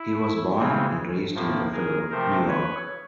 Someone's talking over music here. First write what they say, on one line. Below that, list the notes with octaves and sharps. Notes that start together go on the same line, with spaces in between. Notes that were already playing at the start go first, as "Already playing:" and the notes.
He was born and raised in Buffalo, New York.
Already playing: E4
C#3 E3 G#3 C4
A2 F3 A#3
G#4 A#4
C3 F3 A3 C4 A#4 C5
B4 C#5